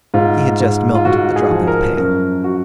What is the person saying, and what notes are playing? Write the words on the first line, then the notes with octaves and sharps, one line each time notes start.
He had just milked a drop in the pail.
G#2 F4
G#2
F4
G#2 F#4
G#4
F3
A#4
F#2 A#4
F#4